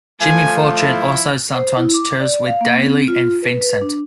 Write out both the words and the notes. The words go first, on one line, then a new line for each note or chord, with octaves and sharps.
Jimmy Fortune also sometimes tours with Dailey and Vincent.
F3 A3 G#5
E4
C5
E4
D6
D5
F5
A#3
C4
F4
B4
B4
D4